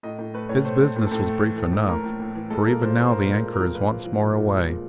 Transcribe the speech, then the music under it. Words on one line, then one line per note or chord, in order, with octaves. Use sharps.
His business was brief enough, for even now the anchor is once more away.
A2 D#5
A2
A3 B4
A2 C#5
A3 C5
A2
A2
A2 A4
A3
E3
A2
A2
A2 A#4
A2
A2
E3
G#3 A4
A#2 A#4
A#2 C5
A#2 C5
A#2 A#4
G#3 A#4
A#2
A#4
F3
A#2 B4
A#2
F3
A#2
A#2
G#3
A#2